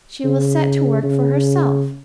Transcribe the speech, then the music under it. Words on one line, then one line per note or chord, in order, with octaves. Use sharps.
She will set to work for herself.
C#3
C#3